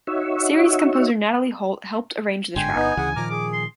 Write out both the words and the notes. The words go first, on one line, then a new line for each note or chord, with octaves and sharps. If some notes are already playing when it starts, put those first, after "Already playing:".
Series composer Natalie Holt helped arrange the track.
D#4 F#4 C#5 E5
G1 G#2 D3 G5 G#5 C6
G1 B3 D#4
D2 C#3 E3 G#4 F#5
A#2 D#3 F3 A#5 D6 F6
G#4 D6
C6